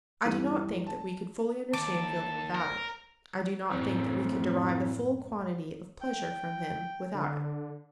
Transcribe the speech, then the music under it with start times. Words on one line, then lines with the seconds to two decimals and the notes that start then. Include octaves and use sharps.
I do not think that we could fully understand Fielding without it; I do not think that we could derive the full quantity of pleasure from him without it.
0.25 E2 G2 E3 G3 A4 D#7
0.86 A5
1.73 D#2 A5 D6
2.55 A#4
3.72 F#2 A2 E3 C4
6.01 G5
7.14 D3